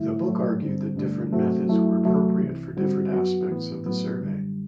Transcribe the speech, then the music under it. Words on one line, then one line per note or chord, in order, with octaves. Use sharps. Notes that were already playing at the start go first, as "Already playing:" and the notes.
The book argued that different methods were appropriate for different aspects of the survey.
Already playing: G2 D3 A3 E4
A2 F#3 A3
G2 D3 G3 C4
G2 D3 A3 D4
C3 F#3 A3 C4 F#4
F#2 F#3 A3 E4
E2 C3 F#3 A3
C2 C3 E3
D3 G3 C4 F#4
F#2 F#3 B3 F#4
A2 E3 B3
A2 F#3 B3
F#2 D3 G3